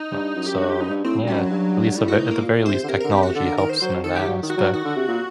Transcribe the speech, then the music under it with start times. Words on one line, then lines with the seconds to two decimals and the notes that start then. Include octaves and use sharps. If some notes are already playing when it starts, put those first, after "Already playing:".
Uh, so yeah, at least the ver at the very least, technology helps them in that aspect.
Already playing: D#4
0.11 G2
0.35 F#2
0.46 F#2 G4
0.58 G2 F#4
0.70 F#2 G4
0.81 D#4
0.89 G2
1.04 A2 C4
1.22 G2
1.27 F#2 G3
1.39 F#3
1.50 G2
1.96 A2 G3
2.08 F#4
2.19 D#4
2.31 A#3
2.42 A#2
2.59 A#2
2.66 C3 C5
2.83 D3
2.88 C3 A#4
3.00 D3 A#4
3.11 C3 G4
3.23 F#4
3.35 D3 A4
3.46 A#4
3.58 D#3 A#4
3.70 C5
3.80 F#3 C5
4.04 D#3 A4
4.15 G4
4.28 F#3
4.43 D#3
4.50 F#4
4.57 F#3
4.73 D#3 F#4
4.84 D3
4.96 C3
5.08 A#2